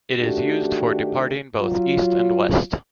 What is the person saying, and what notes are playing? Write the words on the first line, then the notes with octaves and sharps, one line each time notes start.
It is used for departing both east and west.
D#3 A3 D4 F#4 G4
F#3 F4